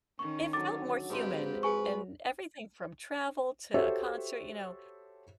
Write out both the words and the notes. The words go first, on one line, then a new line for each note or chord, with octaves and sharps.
it felt more human and everything from travel to a concert, you know,
D#3 C#4 C#6
D3 F#3 D6 A6
G#2 F3 C4 G4 B4 C6
G#4 B4 G#5 C#6
F#4 G4 A4 C5 C#5 E5